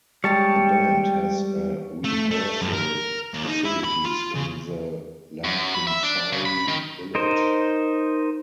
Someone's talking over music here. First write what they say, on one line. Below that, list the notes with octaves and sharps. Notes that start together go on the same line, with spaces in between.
The band has a rehearsal facilities in the Lampinsaari village.
G3 G#3 C#5 G5 A5
A3
A3
F#2
A#4
D#2
D#4
E4
B5
F4
C#3
F#2
B5
E5
D4
C#3
B5
D#3
D#4 A#4 C5